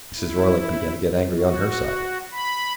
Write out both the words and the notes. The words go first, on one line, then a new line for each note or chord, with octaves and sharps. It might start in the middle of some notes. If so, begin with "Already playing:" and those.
Mrs. Roylake began to get angry, on her side.
E4
F#4
B5